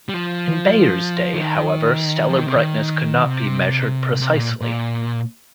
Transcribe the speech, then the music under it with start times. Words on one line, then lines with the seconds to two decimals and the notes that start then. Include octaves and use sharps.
In Bayer's day, however, stellar brightness could not be measured precisely.
0.09 G3
0.14 F3
1.33 D#3
2.29 F3
2.38 D#3
2.47 C3
2.56 D#3
3.25 C3
4.21 C3
4.34 A#2
4.61 A#2